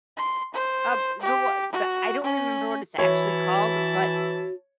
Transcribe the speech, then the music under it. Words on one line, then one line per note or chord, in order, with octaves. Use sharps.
Uh, the w the I don't remember what it's actually called but
C6
C5
G4
F#4
C#4
E3 E4 F#4 C#5 A5